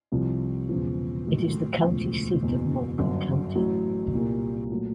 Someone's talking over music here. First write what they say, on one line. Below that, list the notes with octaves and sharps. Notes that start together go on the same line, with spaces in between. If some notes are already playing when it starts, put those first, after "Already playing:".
It is the county seat of Morgan County.
C2 C3 F3
E1 E2 C#3 F3
A#1 G#2 D#3 F#3 A3
E1 D2 C#3 F3 A3
F#1 E2 B2 F#3
G1 F#2 D3
A1 A2 F#3
C2 A#2 G3 A#3
A#2 F#3 A3